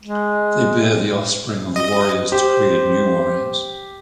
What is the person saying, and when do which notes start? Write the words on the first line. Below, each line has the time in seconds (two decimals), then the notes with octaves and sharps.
They bear the offspring of the warriors to create new warriors.
0.02 G#3
1.76 D#5
2.32 G4 C5